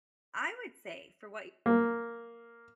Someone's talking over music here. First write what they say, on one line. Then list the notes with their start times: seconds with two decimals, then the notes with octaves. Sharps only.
I would say for what you're
1.66 A#3